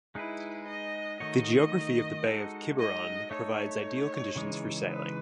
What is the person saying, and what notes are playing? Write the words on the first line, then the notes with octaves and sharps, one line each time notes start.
The geography of the Bay of Quiberon provides ideal conditions for sailing.
G#3 D#4 E4 G#4 B4
D#5
D#3 A3 D#4 F#4 C#5 D#5
G#3 D#4 F#4 A4
D#5
A3 D#4 A4 C#5
C#3 E3 G#3 D#4
B4